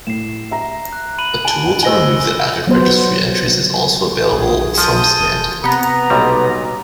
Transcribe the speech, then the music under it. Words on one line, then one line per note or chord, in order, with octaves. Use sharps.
A tool to remove the added registry entries is also available from Symantec.
A2 C7 E7
E5 A#5
F#6
B5 D#7 F#7
G#5 A5 D7
C5 D#5 G#5 E6 A#6 G7
F#3 B3 C5
B1 G#4
F3 G#4 A5 D#6 G6
E1
C3 B3 A#5
B1 A#2 G3